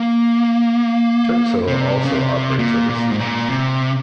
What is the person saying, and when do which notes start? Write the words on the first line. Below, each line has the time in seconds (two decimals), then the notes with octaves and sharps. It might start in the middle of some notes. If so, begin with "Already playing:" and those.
Turkcell also operates overseas.
Already playing: A#3
1.68 C3
2.05 C#3
2.14 C3
2.59 A#2
2.89 A#2
3.11 G#2
3.20 A#2
3.50 C3